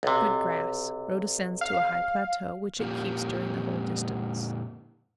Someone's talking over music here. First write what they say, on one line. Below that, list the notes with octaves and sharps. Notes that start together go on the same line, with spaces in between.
Good grass. Road ascends to a high plateau, which it keeps during the whole distance.
B1 C3
F5
F2 A#2 A#3 G4